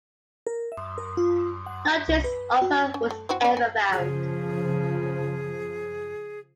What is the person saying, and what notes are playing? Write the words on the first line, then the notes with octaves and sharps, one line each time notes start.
No trace of her was ever found.
A#4
E5
A#4
F4
F#5
C2
B4
F#4
C#4
A3
C4 E4 F#4
C#4 D5
G#5
C#3 F3 G#4